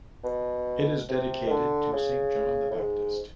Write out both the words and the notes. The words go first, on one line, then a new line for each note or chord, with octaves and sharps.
It is dedicated to St John the Baptist.
B2
C3
D#3
D3
C#3
A2
G#2